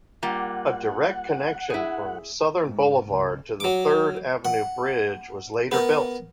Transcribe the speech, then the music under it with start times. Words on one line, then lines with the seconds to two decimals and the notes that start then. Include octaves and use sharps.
A direct connection from Southern Boulevard to the Third Avenue Bridge was later built.
0.23 G3 A#3 F4 F#5
1.70 E4 G#4
2.67 G#2
3.07 C#2
3.60 F#3 D6
4.45 F#5
5.72 B3 A#4